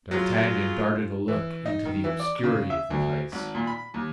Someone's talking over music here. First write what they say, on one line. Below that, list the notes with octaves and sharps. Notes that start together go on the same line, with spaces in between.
D'Artagnan darted a look into the obscurity of the Place.
F#3 F4 G#4
E3
D#4
D#3
E3
D5
C#3
E5
D2
G#1
A#2
B5
D#2